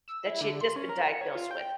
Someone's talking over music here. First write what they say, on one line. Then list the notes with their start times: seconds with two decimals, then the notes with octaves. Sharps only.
that she had just been diagnosed with.
0.08 E6
0.26 E4
0.41 D3
0.61 C6
0.76 C#4
0.89 A#4
1.08 C#7
1.21 C#5
1.35 F4
1.51 G5